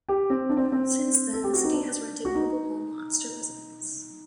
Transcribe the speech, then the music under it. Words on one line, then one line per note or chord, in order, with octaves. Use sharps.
Since then the city has rented mobile home lots to residents.
G4
C4
D4
C4
C4
A4
G4
F#4
D#4
D4
F#4
D#4